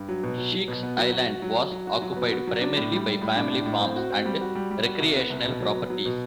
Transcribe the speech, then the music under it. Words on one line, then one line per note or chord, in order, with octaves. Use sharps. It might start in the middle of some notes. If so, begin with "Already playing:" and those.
Sheek's Island was occupied primarily by family farms and recreational properties.
Already playing: G2
F#3
B2
F#3
F#3
B2
B3
F#3
F#4
F#4
F#3
F#3
F#3
F#4
F#3
B3
F#4
F#3
D4
A2
G3
G3
A2
D4
A2
A2
C4
F#4
C4
G3
F#4
G3
G3
F#4
C2
B3
C2
B2
F#3
B3
F#3
B2